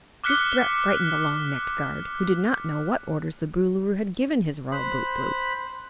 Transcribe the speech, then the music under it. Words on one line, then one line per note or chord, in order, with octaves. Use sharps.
This threat frightened the long-necked guard, who did not know what orders the Boolooroo had given his Royal Bootblue.
D6 F6 F#6 B6 C#7 G7
C5 B5 F#6